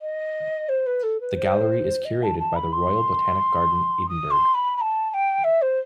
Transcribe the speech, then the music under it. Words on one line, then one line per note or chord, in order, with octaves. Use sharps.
The gallery is curated by the Royal Botanic Garden Edinburgh.
D#5
C5
B4
A4
B4
C5
D#5
A5
A5
B5
C6
D#6
C6
B5
B5
A5
A5
G5
E5
C5